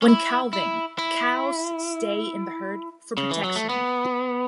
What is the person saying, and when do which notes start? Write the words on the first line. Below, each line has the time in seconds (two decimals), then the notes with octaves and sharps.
When calving, cows stay in the herd for protection.
0.02 C#4
0.08 E4
0.53 E4
0.98 E4
3.18 C#3
3.31 E3
3.44 F#3
3.56 A3
3.69 B3